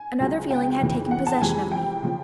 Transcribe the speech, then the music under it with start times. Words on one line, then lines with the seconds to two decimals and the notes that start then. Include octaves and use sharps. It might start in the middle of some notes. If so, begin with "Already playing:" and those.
Another feeling had taken possession of me.
Already playing: G#5
0.20 C#2 C#3 F#3
0.51 G5
0.81 F1 F2 C#3 E3
1.11 F#5
1.27 A5
1.36 G5
1.41 F2 C3 E3 G#3 G#5
1.71 G5
2.03 C#3 F3